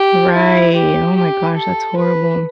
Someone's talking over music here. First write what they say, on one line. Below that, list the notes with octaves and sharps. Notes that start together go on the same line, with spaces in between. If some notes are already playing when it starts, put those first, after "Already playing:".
Right, oh my gosh, that's horrible.
Already playing: G4
E4
G4
G4
A4
B4